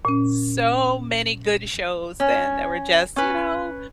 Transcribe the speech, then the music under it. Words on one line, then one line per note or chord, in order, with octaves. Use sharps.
So many good shows then that were just, you know
A#2 C#4
C#4
C#4 B4